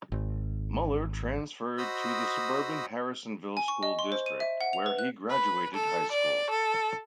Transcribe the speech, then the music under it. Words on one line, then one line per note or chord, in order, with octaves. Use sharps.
Muller transferred to the suburban Harrisonville school district, where he graduated high school.
G#1
F#4 C5 D#5 B5 D#6 E6
G#5
C#6
D#5
C6
C5
D#7
E5
F#5
F7
B4
F#6
B4
A4
D5
A4